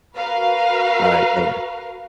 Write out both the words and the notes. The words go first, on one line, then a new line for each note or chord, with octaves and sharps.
Alright, later.
F#4 A#4 B4 F5